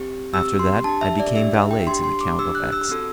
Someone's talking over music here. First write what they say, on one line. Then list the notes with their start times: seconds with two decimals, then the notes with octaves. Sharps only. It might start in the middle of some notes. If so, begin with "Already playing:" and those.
After that I became valet to the Count of X---.
Already playing: C4 G4
0.34 C4 G4 E6
0.59 C6
0.84 D4 G4 A5
1.01 E5
1.20 D5
1.35 D4 G4 E5
1.54 E5
1.71 G5
1.87 D4 G4 C6
2.04 C6
2.21 D6
2.39 D4 G4 E6
2.55 F#6
2.72 E6
2.89 C4 F#4 A4 E6